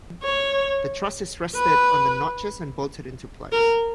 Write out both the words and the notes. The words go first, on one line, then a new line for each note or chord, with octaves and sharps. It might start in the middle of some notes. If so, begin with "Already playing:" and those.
The truss is rested on the notches and bolted into place.
C#5
B4
A#4